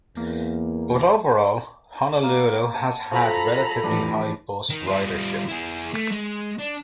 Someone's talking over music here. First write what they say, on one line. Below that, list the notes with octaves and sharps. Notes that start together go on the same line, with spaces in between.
But overall, Honolulu has had relatively high bus ridership.
E2 A#3
A#3
F#5 G#5 A5
F3 F#4 A4 A#5 B5
A2 E3 F3 D4 G4 B4
D#3
G3 F4
E4 G#4
A3
G#3
D4